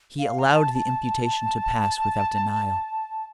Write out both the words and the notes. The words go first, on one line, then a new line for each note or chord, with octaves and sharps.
He allowed the imputation to pass without denial.
F5
A#5
A5
A5